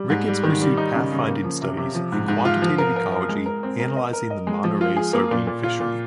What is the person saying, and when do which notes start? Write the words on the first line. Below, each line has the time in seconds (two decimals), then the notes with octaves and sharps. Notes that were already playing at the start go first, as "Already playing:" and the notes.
Ricketts pursued pathfinding studies in quantitative ecology, analyzing the Monterey sardine fishery.
Already playing: G3
0.10 G#2
0.28 G3
0.43 D#3
0.61 G3
0.77 D#4
0.94 C#3
1.12 C#3
1.28 A#3
1.44 F3
1.62 C3
1.78 C3
1.95 F3
2.12 G#2
2.28 G#2
2.45 F4
2.62 F3
2.78 A#4
2.96 A#4
3.12 A#4
3.29 G#3
3.46 A#4
3.63 C4
3.80 A#4
3.96 D#5
4.13 A#4
4.30 D#5
4.47 G#3
4.64 F3
4.81 F4
4.96 G#4
5.13 A#3
5.31 A#2
5.47 A#2
5.64 F4
5.80 A#2